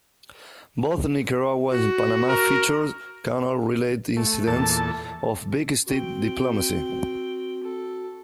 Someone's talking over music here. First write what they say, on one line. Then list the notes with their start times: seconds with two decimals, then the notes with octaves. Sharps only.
Both Nicaragua and Panama featured canal related incidents of Big Stick Diplomacy.
1.71 F#4
2.29 A#4
4.17 A3
4.47 E2 A#2 A4 A5
5.86 C4 F#4 G5
7.63 A4